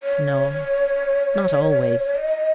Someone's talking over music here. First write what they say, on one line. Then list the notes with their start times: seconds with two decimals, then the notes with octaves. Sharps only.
"No, not always."
0.03 C#5
2.16 D#5